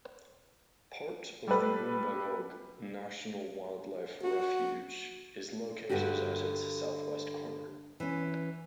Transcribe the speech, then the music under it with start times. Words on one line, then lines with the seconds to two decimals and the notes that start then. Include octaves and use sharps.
Part of the Umbagog National Wildlife Refuge is located at its southwest corner.
1.47 G3 A4 B4
4.23 F#4
5.89 G2 A#2 D3 A#3 F#4 G4
8.00 E3 C#4